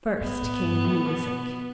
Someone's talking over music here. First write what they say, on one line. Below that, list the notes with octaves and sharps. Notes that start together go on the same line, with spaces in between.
First came the music.
A2 B3
A2
G2
A2
B2